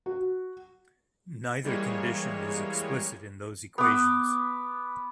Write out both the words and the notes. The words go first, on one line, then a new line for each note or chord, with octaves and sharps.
Neither condition is explicit in those equations.
F#4
E3 G3 G#3 A#3 C#5
B3 D6